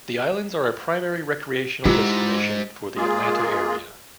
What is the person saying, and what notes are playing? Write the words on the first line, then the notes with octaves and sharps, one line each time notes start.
The islands are a primary recreational destination for the Atlanta area.
G#2 E4 F4 G4 E6
G#3 A#3 F4 G#4